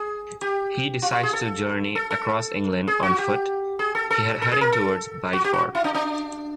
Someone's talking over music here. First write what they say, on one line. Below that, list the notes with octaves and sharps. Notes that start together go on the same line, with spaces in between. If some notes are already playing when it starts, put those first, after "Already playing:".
He decides to journey across England on foot, heading towards Bideford.
Already playing: G#4
G4
F4
F4
G#4
A4
A4
A4
G#4
F#4
G4
G#4
A4
A4
A4
G#4
A#4
A4
F#4
G4
F#4
E4
D4
D4